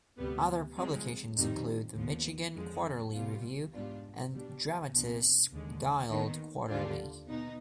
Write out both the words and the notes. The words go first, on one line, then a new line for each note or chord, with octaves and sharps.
Other publications include "The Michigan Quarterly Review" and "Dramatists Guild Quarterly".
D2 C3 G3 B3
G2 F3 G#3 C4
F2 D#3 G3 C4 D#4
D#2 D3 F3 B3
F2 D3 F3 G#3 C4
C2 B2 G3 B3 F4
G#2 G3 B3 D4 F4
B2 G3 D4
C2 C3 F3 B3 D4
D#2 D3 G#3
D#2 D#3 B3 D#4
D#2 D3 G3 D4 F4
B2 B3 D#4